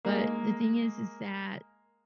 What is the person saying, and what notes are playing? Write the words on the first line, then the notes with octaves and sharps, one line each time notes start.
but the thing is is that
G#3 A#3